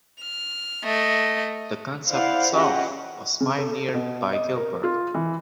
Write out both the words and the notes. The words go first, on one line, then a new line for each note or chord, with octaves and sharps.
The concept itself was pioneered by Gilbert.
F6
A3 D#5
E4 C5 D5 F5 F#5
C#4 F4 G4 G#4 D#5 F#5
C#3
A4
B2
D#5
A#4
F4
E3